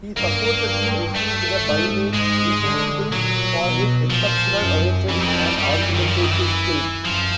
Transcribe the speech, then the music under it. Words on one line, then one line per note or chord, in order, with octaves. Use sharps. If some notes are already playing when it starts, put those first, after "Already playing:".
He supposedly received the byname "invincible" for his exceptional oratory and argumentative skills.
G2 A#3
A3
G#2
G#2 G#3
D3
A#2 F#3
B2
A#2 F3
F#2
F2 E3
D#3
E3
F3
G3
F#2 G3
G3
E3
D#3
F3
E3
D#3
E3
F#2 F3